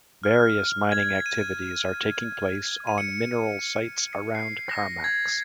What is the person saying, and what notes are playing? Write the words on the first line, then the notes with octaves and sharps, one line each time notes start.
Various mining activities are taking place on mineral sites around Carmacks.
F6
G#6
D#7
D#7
C#7
C7
A#6
G#6